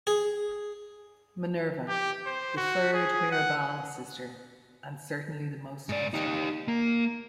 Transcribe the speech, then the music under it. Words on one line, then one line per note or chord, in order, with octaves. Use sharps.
Minerva: The third Mirabal sister, and certainly the most headstrong.
G#4
G4
C5
F#4
G#4
F#5
G#2 D5
D#4 G4
A#3